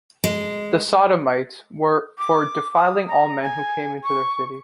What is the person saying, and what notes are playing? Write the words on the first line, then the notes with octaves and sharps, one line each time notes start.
The Sodomites were for defiling all men who came into their city.
G#3
D6
D#6
A#5
G#5
C#6